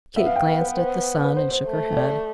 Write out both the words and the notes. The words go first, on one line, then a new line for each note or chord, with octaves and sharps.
Kate glanced at the sun and shook her head.
B3 E5
F5
G5
B3 F5
B4
C5
B4
C5
C5
A3
D5